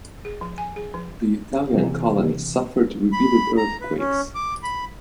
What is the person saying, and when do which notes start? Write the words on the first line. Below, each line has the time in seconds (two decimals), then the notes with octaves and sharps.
The Italian colony suffered repeated earthquakes.
0.25 G#4
0.41 F3
0.58 G#5
0.76 G#4
0.94 F3
1.73 C3 E3
3.13 B5
3.57 A#5
3.81 B4
3.99 C#4
4.35 D6
4.63 B5